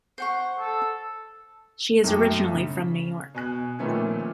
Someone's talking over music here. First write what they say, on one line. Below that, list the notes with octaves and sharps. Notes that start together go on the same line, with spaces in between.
She is originally from New York.
C5 F#5 C#6
A4
F#2 A3 A4 G5 D6
C#3
B2 G#5 F#6
A#2 D#3 F3 A3 B3 C#4